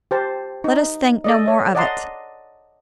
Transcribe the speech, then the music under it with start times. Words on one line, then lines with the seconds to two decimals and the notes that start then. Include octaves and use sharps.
Let us think no more of it.
0.11 G4 C5 A5
0.64 D#4
1.24 A4 D5 D#5
1.48 C#5
1.75 D5 D#5 F#5 A5 A#5 C6